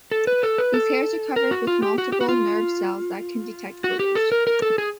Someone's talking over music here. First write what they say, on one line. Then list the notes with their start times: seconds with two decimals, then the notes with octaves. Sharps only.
These hairs are covered with multiple nerve cells that can detect odors.
0.11 A4
0.27 B4
0.43 A4
0.58 B4
0.74 A4
1.36 A#4
1.51 F#4
1.67 F4
1.83 G4
1.98 F#4
2.12 G4
2.21 F#4
2.29 F4
3.84 F#4
4.00 G4
4.15 A4
4.32 A#4
4.47 A#4
4.62 A4
4.78 G#4